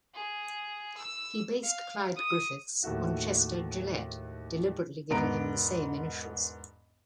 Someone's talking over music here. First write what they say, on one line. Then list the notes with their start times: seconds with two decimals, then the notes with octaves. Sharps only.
He based Clyde Griffiths on Chester Gillette, deliberately giving him the same initials.
0.14 G#4
0.97 E6
1.63 F5
2.16 D#6
2.83 D#2 A2 A3 F#4 E5
5.10 E1 G#2 B3 A#5 D7